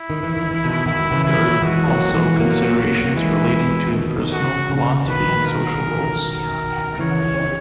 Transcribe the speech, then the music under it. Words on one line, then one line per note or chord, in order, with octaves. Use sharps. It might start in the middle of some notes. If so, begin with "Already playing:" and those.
There are also considerations relating to personal philosophy and social roles.
Already playing: E4
D#3
E3
D#3
E3
B2 D#3
B2 D#3 E4
C#3 E3
E4
D#3 F#3
E3 G#3 F#4
F#3 A#3
E3 G#3
F#3 A#3 F#4
F#4
A#3
E3 G#3 E4
B2 D#3
B2 D#3
F#4
C#3
C#3
B2 D#3 B4
A#4
A#4
C#3 E3 C#5
D#3
C#3